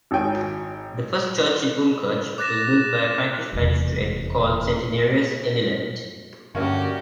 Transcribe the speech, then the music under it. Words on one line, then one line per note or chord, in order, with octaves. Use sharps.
The first church in Umkirch was built by a Frankish magistrate, called Centenarius Elilant.
G#1 D#3 C#5 G5 G#5
D6 F#6 A6 A#6 E7
F1 E2
G2 D3 A3 A#3 C#4 F#4 G4